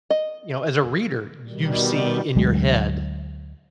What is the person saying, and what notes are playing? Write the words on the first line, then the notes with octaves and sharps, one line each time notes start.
you know, as a reader, you see in your head
D#5
B2 D#3 G3
D2 F#3 G#3